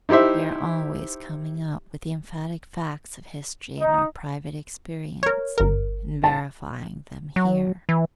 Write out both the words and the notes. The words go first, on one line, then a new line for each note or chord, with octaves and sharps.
We are always coming up with the emphatic facts of history in our private experience and verifying them here.
D#4 E4 G4 C5 E5
D#4
A#4 C#5
G1 A#4
A5
F#3
E3